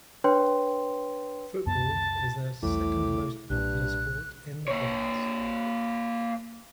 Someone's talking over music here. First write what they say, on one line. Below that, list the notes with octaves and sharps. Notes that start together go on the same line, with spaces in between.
Football is the second most popular sport in the province.
D4 B4 C#5 G5 C6
C#2 F#2 B3 A5
B1 E2 A2 G3 D6
B1 G2 A#2 F#6
A#3 C#5